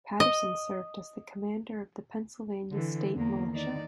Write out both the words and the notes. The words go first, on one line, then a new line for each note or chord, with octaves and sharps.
Patterson served as the Commander of the Pennsylvania State militia.
D#5
D3 E3
E2 A#3
D#3 D5